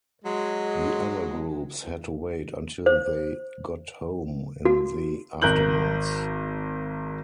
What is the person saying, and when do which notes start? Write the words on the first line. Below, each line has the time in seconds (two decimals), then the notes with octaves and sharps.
The other groups had to "wait until they got home" in the afternoons.
0.24 F#3 G#3
2.86 C5
4.65 F#4
5.42 G#1 A#4 F#6 G6 F#7